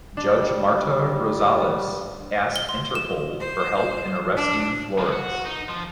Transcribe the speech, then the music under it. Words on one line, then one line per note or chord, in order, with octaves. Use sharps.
Judge Marta Rosales asked Interpol for help in arresting Flores.
G3 D4
G7
C6
E7
C5
D4
C#3 F3
F#4
D#4
F3